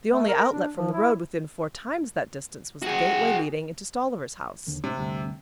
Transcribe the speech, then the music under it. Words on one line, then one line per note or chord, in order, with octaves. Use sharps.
The only outlet from the road within four times that distance was the gateway leading into Stolliver's house.
A3
A#4
D4
F3
E4
F#4 G#4
E1 D#2 D3
A2 C3
D2 G2